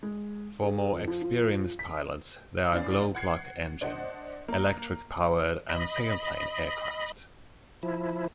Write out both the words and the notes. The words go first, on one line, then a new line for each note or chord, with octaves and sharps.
For more experienced pilots there are glow plug engine, electric powered and sailplane aircraft.
G#3
G#4
F2
F3
F3
B6
E2 C#4 D5 F5
F#5 G#6 C7
D4 C5 D#5 F#5
A#3 A#5
D#5 B5
F3 E4